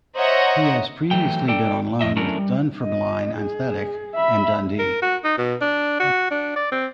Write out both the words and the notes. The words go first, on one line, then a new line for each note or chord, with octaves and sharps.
He has previously been on loan with Dunfermline Athletic and Dundee.
C5 C#5 D#5 E5 F#5 A#5
E3 F#3 A3 G5
A4 D5 G5
F2 D#5 E5
F#3 A3 C#4 D4 E4 A#4
G3
D#5
G#4
E5 B5
A#4
F#4
D#4
B2
D4
F#4
D4
D5
C4